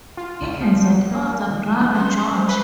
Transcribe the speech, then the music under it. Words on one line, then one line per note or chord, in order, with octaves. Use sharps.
He has an older brother, George.
F4
C#2
F3
A#3
D#3 F3
C#4 B4 C6
C5
B4